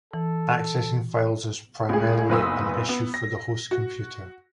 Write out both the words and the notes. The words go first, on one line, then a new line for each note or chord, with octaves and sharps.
Accessing files is primarily an issue for the host computer.
E3 A4
C#2 A2 G#4
F#1 B1 B4 C6 D#6 E6
B3
A#6
F#4